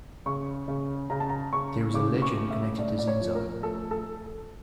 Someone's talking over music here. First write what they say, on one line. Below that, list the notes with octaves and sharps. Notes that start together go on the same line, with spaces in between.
There is a legend connected to Xinzo.
C#3 C#6
C#3
C#3 A#5
A5
A#5
C#3 C#6
C#3 D6
C#6
A3
E5
A3 D5
D5
C#5
F3
A#4
A3 A4
A4